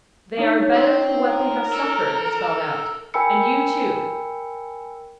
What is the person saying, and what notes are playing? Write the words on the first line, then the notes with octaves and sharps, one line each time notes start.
"They are better for what they have suffered," was spelled out; "and you too."
D4 D#4 C#5
C4 F4
A#4 D#6
A4
A#4 G5 G#5 B5 E6 C#7